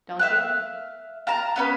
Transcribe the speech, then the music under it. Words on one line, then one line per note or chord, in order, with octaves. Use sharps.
don't you?
E5 F5 F#6
F5 A5 A#5
B3 C#4 B4